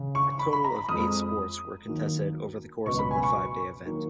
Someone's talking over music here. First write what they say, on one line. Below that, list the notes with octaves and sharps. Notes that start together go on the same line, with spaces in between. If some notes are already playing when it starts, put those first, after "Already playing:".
A total of eight sports were contested over the course of the five-day event.
Already playing: C#3
C#6
B5
B5
A#5
B5
F2 F3 G#3 D#6
D#2 D#3 F#3 A#3
C#2 B2 F#3 B3 C#6
B5
G#5
C#6
D#3 F#3 A#3